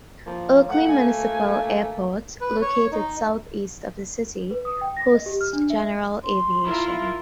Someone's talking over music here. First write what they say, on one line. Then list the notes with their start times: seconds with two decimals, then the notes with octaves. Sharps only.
Oakley Municipal Airport, located southeast of the city, hosts general aviation.
0.26 F3 A#3
0.69 A3 F#5
0.88 G#5
2.41 B4
2.62 C#5
2.92 D#4
4.51 B4
4.65 D#6
4.81 G5
4.97 A#6
5.14 D#5
5.26 G4
5.41 F6
5.53 D4
5.70 E5
6.24 C6
6.63 E4 F4 A#4